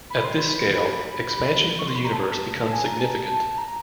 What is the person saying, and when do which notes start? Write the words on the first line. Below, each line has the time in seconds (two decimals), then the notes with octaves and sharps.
At this scale, expansion of the universe becomes significant.
0.10 B5
0.20 B5
0.24 C6
0.39 B5
1.79 C#6
1.87 C6
1.96 B5
2.04 A#5
2.13 A5
2.71 G#5
2.85 A#5
3.00 A5
3.58 A#5